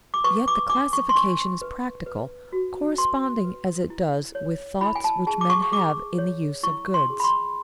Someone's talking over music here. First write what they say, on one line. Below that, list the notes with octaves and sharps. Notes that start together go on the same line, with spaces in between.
Yet the classification is practical, corresponding as it does with thoughts which men have in the use of goods.
D6
B4 C#6
D6
D4 D6
C#6
C6
D4 C#6
B4
B4
F#4
B4 C6
B4
E4
C#5
E4 B5
G#5
A5
G#4 A5
D6
C#6
C#6
G#4 D6
C#5
E4 C#6
C6
G#4
B5
C6